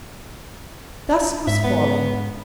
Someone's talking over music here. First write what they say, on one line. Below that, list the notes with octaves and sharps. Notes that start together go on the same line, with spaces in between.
Dusk was falling.
G#2 E5
B3